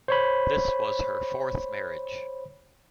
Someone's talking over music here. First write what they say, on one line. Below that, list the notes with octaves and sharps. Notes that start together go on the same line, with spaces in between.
This was her fourth marriage.
C5 C#5 B5